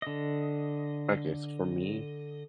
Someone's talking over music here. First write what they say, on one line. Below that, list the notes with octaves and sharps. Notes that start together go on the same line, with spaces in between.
Okay, so, for me,
D3 D#5